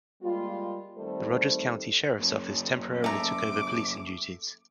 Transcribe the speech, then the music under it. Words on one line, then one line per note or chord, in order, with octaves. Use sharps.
The Rogers County Sheriff's Office temporarily took over policing duties.
G3 G#3 A#3 F4
D#3 G3 A3 C4 A4 C5
F#2 A#3 C#4
A3 A#5 D6